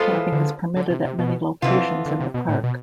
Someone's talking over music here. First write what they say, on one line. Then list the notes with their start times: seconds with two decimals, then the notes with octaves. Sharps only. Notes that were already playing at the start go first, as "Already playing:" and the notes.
Camping is permitted at many locations in the park.
Already playing: G#3 B3 F4 A4 C5
0.11 E3
0.32 D3
0.76 D3
0.90 C3
1.05 C3
1.19 B2
1.62 F2 C3 E3 B3 F4
2.06 D3
2.20 C3
2.34 B2
2.49 A2
2.63 B2